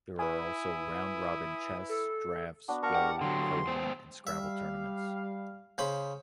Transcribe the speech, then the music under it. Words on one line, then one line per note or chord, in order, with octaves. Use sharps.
There are also round-robin chess, draughts, go, curling and Scrabble tournaments.
E4 B4 G#5 D#6
A4
B3 D4 F#4
B3 A#4 F5 A5 A#5 C#6
G4 D#5 F#5
D3 F#3 C6
G#3 B3 C5
G3 E5 F5
C#3 C5 B5